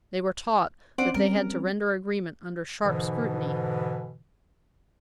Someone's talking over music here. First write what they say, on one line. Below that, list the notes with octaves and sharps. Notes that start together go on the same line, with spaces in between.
They were taught that they had to render agreement under sharp scrutiny.
C4 C#4 C5 D5 F#5
G3 A#4
G#2 B2 D3 E3